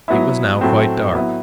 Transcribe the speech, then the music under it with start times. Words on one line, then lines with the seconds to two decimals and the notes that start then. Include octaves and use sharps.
It was now quite dark.
0.08 F#3 B3 E4
0.61 A2 F#3 A3 C4
1.15 F#3 B3 E4